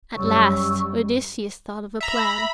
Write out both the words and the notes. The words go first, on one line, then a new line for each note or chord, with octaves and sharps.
At last Odysseus thought of a plan.
F#2 G3 C#5 C#6 E6
E5 A#5 B5